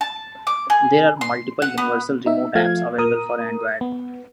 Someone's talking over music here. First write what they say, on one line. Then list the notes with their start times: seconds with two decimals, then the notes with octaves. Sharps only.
There are multiple universal remote apps available for Android.
0.01 A5
0.47 D6
0.70 G#4
1.21 C6
1.62 F#5
1.78 B3
2.26 D#4 E5
2.55 F3 A3 F5 G#6
2.98 A#4 D#6
3.81 B3